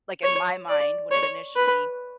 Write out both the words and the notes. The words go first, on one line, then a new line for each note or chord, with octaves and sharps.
like, in my mind, when it initially
C#5
D5
C#5
B4